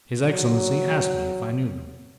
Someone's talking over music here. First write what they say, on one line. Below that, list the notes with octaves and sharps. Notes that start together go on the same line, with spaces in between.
His excellency asked me if I knew them.
F#3